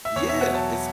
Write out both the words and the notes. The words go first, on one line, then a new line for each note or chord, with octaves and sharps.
Yeah, it's
E5
E2 C#5
B2 E5
F#5
F#3 A5